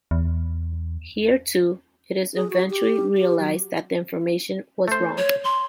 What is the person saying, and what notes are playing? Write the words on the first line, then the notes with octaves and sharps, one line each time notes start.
Here, too, it is eventually realized that the information was wrong.
E2
G#4
F#4
G4
G4
F#3
A3 C5
C#5
C6